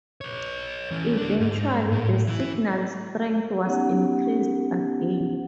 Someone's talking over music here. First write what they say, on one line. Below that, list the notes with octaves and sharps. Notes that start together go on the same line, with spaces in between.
Eventually, the signal's strength was increased again.
B4 C#5
E3 C#4
D2 D4
G#2
A2
E3 E4
B3 C#4 D#4 G4 F#5